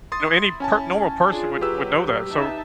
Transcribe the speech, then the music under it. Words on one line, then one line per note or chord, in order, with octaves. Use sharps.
you know any per normal person would would know that, so,
E4 C6 D#6 A6
C#4 G#5 A5
D4 F4 G#4
F#3 G4 B4 E6
D#4 E5 A5